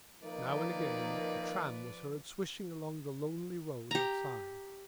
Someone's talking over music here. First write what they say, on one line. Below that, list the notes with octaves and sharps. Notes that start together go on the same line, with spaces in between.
Now and again a tram was heard swishing along the lonely road outside.
D#3 F3 A#3 D#4 B4 D5
G4 A#5